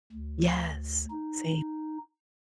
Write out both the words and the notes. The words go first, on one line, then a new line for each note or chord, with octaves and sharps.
Yes. Same.
D2
D#4